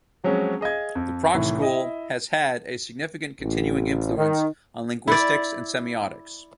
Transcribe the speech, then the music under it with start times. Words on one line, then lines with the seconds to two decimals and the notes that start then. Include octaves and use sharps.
The Prague School has had a significant continuing influence on linguistics and semiotics.
0.24 F3 F#3 G#3 C4 C#4
0.61 G#4 D#5 F5 G#6
0.95 F2
1.34 C2 A2 D#3 E3
1.60 E4 D#5 E5
3.41 A1
4.17 D#3
5.08 E4 D5